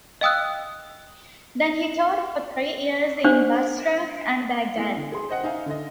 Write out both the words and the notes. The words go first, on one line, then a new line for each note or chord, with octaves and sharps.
Then he taught for three years in Basrah and Baghdad.
D#5 F5 G5 D#6 E6 F#6
D4 C5
A3 B3 E4
D3
G#4 C6
C5 D#5 F#5 G5
D#4 E5 F5 G#5
D3 D#5